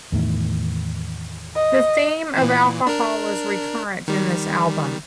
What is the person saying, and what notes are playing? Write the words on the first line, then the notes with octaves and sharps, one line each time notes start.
The theme of alcohol is recurrent in this album.
E2 A2 D#3
D#5
A#2 E3
D4 A#4
D#3 G3